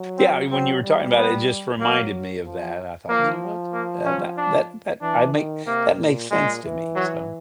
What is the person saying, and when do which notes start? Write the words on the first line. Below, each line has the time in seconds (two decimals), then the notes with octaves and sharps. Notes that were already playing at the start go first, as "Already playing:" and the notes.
Yeah, I mean when you were talking about it, it just reminded me of that. I thought, you know what? That that that that I make that makes sense to me so
Already playing: F#3
0.18 C4
0.51 F#3 C4
0.84 G3
1.16 B3
1.80 F#3 A#3
2.44 F3
3.08 F3 A#3
3.73 A#3
4.05 C#4
4.37 D4
5.01 E3 D4
5.33 D#3
5.66 C3 A#3
5.99 A#2
6.31 A#2 G#3
6.63 E3
6.95 F#3